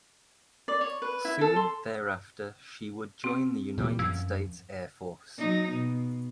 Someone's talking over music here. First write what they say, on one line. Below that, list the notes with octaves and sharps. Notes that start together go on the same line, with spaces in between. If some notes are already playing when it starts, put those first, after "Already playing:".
Soon thereafter she would join the United States Air Force.
D5
C#5
B4
E4
A4
C6
C4
A#2 E3 G3
F#2 F3 E6
F#3 D#4
B2